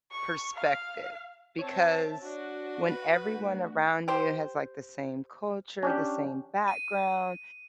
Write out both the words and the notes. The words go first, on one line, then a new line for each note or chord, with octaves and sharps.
perspective, because when everyone around you has, like, the same culture, the same background,
C#6
F5
C4 C#5 E5 A5
D4 F#4
B4
D2
G4 C5
C#4 D4 G4
D#7